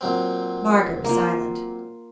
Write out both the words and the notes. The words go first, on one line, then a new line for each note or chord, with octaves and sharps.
Margaret was silent.
A#2 F#3 C4
A#3 F4